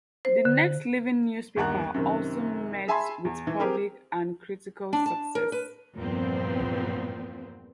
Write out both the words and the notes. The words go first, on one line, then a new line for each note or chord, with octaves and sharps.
The next Living Newspaper also met with public and critical success.
C5
D3
G1 D#2 F#5 A#5 F#6
F#2 C3 D#3
G#4 E5 G#5 A5 B5 C6
E2
E3
C4 G4 G#4 A#4
D4
A5
A#4
B4
E2 G2 A#2 F3 B3 C4